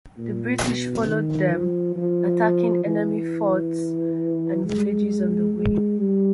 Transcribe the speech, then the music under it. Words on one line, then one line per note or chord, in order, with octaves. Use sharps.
The British followed them, attacking enemy forts and villages on the way.
A#2
B2
D#3
F3
F3
E3
G#3
G#3
G3